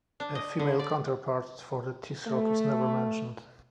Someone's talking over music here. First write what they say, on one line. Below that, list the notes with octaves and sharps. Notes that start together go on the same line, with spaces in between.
A female counterpart for the Tisroc is never mentioned.
D4
D#5
D3
D5
A3